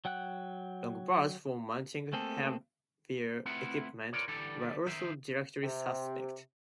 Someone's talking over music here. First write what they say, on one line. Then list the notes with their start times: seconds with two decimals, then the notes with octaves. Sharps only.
Long bolts for mounting heavier equipment were also directly suspect.
0.05 F#3 F#5 G5 F#6
2.13 A3 A#3 C4 G#4 A4
3.45 A3 C4 E4 F4 B4 F#5
4.13 F4 A#4 B4 C#5 D5
4.28 D3 E3 G3 D4 A4
4.86 D#3 D#4 C5 E5
5.63 C3